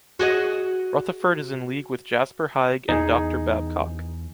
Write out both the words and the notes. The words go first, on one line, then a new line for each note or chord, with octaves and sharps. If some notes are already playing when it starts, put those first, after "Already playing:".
Rutherford is in league with Jasper Haig and Docteur Babcock.
F#4 G#4 D#5
E2 E3 D#4 G#4